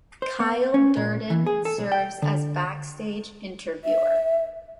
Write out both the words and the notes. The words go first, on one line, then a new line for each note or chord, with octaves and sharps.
Kyle Durden serves as backstage interviewer.
C5
B3
C#4
A#2
E3
G#4
A4
B1
G5
D3
E5